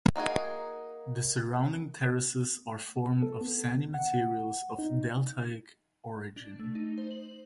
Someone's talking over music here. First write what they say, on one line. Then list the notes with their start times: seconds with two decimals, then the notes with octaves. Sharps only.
The surrounding terraces are formed of sandy materials of deltaic origin.
0.16 A#3 D#4 F#4 G#4
3.23 A4
3.41 B3
3.75 D3
3.94 F#5
4.79 D#4
6.36 D4
6.59 A3
6.75 D#4
6.98 C5
7.11 F#7